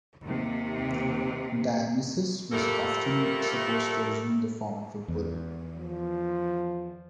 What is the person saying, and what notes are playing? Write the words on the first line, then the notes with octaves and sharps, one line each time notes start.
Dionysus was often supposed to assume the form of a bull.
D#2 C3
F3 G3 A3 A#3 A4 A#4
E2
F3